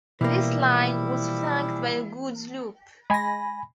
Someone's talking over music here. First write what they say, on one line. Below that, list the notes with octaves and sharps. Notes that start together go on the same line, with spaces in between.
This line was flanked by a goods loop.
B2 E3 F3 G3 A#3 E4
G#3 G#5 B5 A#6